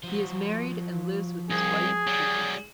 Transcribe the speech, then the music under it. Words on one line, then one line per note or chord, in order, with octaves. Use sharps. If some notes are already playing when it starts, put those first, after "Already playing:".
He is married and lives with his wife, Patience.
F3 F#4
C2 G#4
F#3 G3